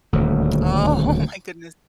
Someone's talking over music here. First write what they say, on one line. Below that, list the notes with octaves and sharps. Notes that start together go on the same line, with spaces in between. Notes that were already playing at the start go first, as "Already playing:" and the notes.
Oh, my goodness.
D#1 D2